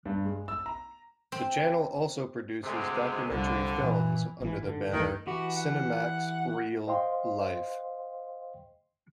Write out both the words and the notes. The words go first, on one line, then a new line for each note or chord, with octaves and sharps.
The channel also produces documentary films under the banner "Cinemax Reel Life".
G2
G#3
E6
A#5
C4
D2 C3 G#3
C2 F2 D3
A#2 E3
A1 G#2 E3
G#2 D3
D#2 D#3 E3 A3
E3 F#4 G4 B5
F#5
C5 D#5 F5 G5 C6